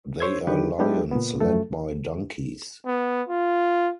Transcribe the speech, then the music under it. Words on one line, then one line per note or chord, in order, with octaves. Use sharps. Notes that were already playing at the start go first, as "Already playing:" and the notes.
They are lions led by donkeys.
C5 C#5 C6 E6 G#6
D3 D#3 F#3 G4 B4
F#3 G#3 B3 D4 E4 G4
A#2 B3
F#2 F3 A3 A4
B3
F4